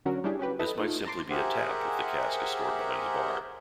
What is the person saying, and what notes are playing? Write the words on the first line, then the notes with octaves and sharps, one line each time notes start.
This might simply be a tap if the cask is stored behind the bar.
D3 F#3 C#4 F#4 A#4
G3 C#4 D4 E4 G4 G#4
C#4 F#4 G4 B4
E4 A4 B4 D#5
A3 D#4 F4
A5 A#5 C6 D6
G4 G#4 A#4 C5 E5 F#5